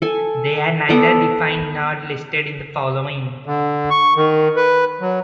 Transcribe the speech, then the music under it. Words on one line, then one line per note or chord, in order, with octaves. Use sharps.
They are neither defined, nor listed in the following.
A4 G#5
B3 A4 D5
D3
C#6
D#3
B4
F#3